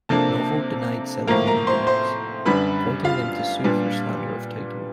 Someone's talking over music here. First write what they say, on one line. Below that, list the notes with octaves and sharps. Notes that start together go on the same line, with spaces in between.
Novell denied selling them Unix, prompting them to sue for slander of title.
C3 F3 A#3 D4 A4 A5
A2 F3 A#3 A#4 A#5
A#4 A#5
C5 C6
C5 C6
F#2 D3 G3 B4 B5
F4 F5
A#2 G3 B3 D4